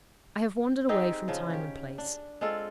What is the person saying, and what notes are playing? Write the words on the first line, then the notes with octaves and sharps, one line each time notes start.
I have wandered away from time and place.
C4 D#4 G4 G#4
C#3 F3
C#4 G4
D4
G#3 C4 F4 A4